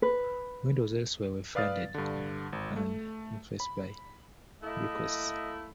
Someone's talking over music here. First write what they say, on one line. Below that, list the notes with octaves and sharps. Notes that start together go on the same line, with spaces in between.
Windows elsewhere were funded and influenced by bequests.
B4
B4 D5 F5 D#6 F6 A6
G2 D3
G#1
A3
B5
A3 A#3 E4 D#5